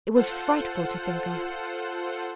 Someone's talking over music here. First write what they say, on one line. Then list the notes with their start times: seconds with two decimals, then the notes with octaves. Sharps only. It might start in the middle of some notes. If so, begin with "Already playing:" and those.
It was frightful to think of.
0.14 F4 A4 C5 F#5